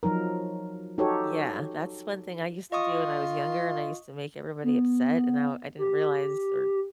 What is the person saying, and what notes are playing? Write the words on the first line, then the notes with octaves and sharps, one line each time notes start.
Yeah. That's one thing I used to do when I was younger, and I used to make everybody upset, and now I didn't realize or
F3 F#3 D#4 A#4
D#4 F#4 G4 A4 C#5
F4 D#5 C#6 D#6
B3
G4